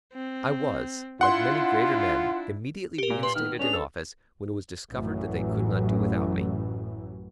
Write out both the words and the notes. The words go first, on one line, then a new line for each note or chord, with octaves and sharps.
I was, like many greater men, immediately reinstated in office when it was discovered that they could not do without me.
C4
D4 E4 F4 F#5 C6
G4 A#4
A#2
B4 C6
D#3 B3 F6
C#4 D4 G#4 F7
A4
A1 F#2 A2 E3 F#3